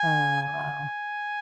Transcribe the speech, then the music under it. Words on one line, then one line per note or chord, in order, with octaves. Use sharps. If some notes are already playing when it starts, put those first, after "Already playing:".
Oh, wow.
Already playing: G#5
G#5